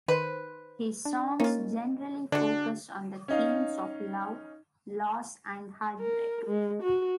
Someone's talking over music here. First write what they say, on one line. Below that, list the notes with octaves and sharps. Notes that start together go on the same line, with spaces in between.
His songs generally focus on the themes of love, loss and heartbreak.
D#3 B4 C5
D4
A#3 C#4 D#4 F4
D3 G#3 D4 F#4
C#4 D#4 F5
A#4
G#3
F#4